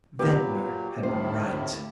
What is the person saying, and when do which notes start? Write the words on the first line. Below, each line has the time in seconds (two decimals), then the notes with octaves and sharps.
Ventnor had been right.
0.19 A#2 F#3 B3 G4 B4 F5
1.03 G#1 D2 A2 C3 D#3 E4 C5